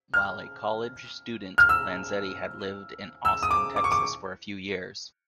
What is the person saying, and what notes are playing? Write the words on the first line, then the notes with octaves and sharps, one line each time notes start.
While a college student, Lanzetti had lived in Austin, Texas for a few years.
F6
F6
E6
E6
D#6
D6
D6
C#6
D6